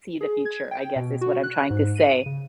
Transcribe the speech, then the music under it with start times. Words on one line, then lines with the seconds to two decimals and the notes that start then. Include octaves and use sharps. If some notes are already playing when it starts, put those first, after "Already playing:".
see the future, I guess is what I'm trying to say.
0.21 G#4
0.45 G#6
0.71 G5
0.96 B2
1.21 F#4
1.43 F#6
1.70 G#2
1.96 D#7
2.26 C#3